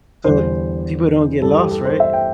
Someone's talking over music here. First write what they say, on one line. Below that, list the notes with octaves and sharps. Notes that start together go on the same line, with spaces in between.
So, people don't get lost, right?
E2 D3 G3 C5
G2 E3 G3 A4
G4
A4
C5
E5
G5